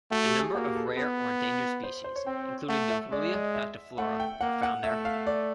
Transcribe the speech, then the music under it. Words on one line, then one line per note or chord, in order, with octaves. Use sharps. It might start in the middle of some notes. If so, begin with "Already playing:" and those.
A number of rare or endangered species, including the "Ruellia noctiflora", are found there.
A3 F#4
G4
G#4
A#3 F#4
G4
A4
B4
B3
C5
C5
C#5
C4 G5
A3 F#5
E5
G#3 D5
D#5
E5
A3 F#5
G5
A#3 F#5
F#5
A3 E5
F5
D5